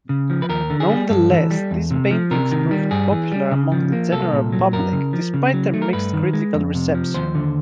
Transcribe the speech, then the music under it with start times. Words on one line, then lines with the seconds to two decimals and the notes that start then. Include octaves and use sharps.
Nonetheless, these paintings proved popular among the general public, despite their mixed critical reception.
0.09 C#3
0.30 F3
0.42 B4
0.49 D#2 A#4
0.70 D3
0.80 G#4
0.90 G3
1.10 G2 A4
1.30 E3
1.51 G3
1.71 E2
1.91 C3
2.11 F3
2.31 C3 A#4
2.51 D#3
2.71 G3
2.91 G2 G#4
3.11 E3
3.32 G3
3.51 C#3
3.72 F3
3.92 A#3
4.12 C2 A4
4.32 A#2
4.52 F#3
4.73 F#2 A#4
4.92 C#3
5.13 F3
5.34 C#3
5.53 F#3
5.74 A3
5.82 A#4
5.93 G2 B4
6.13 D#3
6.33 G#3
6.54 F2
6.75 C3
6.95 F3
7.14 D#2 C5
7.35 D3